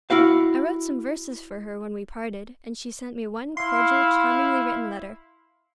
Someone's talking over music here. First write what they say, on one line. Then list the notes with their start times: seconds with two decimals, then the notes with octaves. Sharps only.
I wrote some verses for her when we parted, and she sent me one cordial, charmingly-written letter.
0.10 E4 F#4 F5
3.57 E4 F5 C6